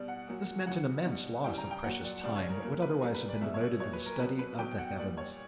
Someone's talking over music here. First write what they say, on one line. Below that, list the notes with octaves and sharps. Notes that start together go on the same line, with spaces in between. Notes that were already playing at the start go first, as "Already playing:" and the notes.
This meant an immense loss of precious time that would otherwise have been devoted to the study of the heavens.
Already playing: B2 G3 D5
F#5
A#2 F#3
C#3 F#3 F#5
B2 G3
C#3 E3 G3 G5
A#5
G5
A#2 F#3 F#5
D5
C#3 G3 D5
C#5
A#4
A#2 F#3 A#4
B4
A#2 G3 A#4
B4
D5
B2 G3 E5
C#5
D5
A#2 F#3 C#5
B4
A#4
B2 F#3 B4
B4
B2 F#3 G5
F#5
A#2 G3 D5
C#5